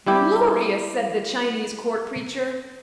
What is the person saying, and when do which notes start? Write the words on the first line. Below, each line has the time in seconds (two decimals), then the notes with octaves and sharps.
"Glorious!" said the Chinese Court Preacher.
0.07 G3 E4 G4